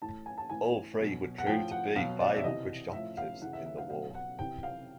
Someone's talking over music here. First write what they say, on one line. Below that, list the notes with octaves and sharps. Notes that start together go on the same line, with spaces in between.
All three would prove to be valuable British operatives in the war.
A2 E3 A5
G#5
A5
A2 E3 G#5
B2 F#3
F#5
A2 F3 G5
F#5
B2 F#3 F5
D5
E5
C3 E3 D#5
A2 F3 E5
F5
C#3 E3 F#5
E5
E5
F5
B2 F#3 F5
F#5
C3 E3 G5
F5